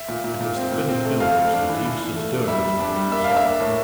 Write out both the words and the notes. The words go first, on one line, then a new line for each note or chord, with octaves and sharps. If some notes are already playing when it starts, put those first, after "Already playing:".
It was the bitter pill which the Deemster's doings made them swallow.
Already playing: E5
A#2
A#2
A#2
C4
A#2
C4
A3
F2 F5
A3
D4
E3
E3
E3
A3
D4
G3 E5
G3
D4
G3
A#3 E5
D4 F5
E5
A#3
A2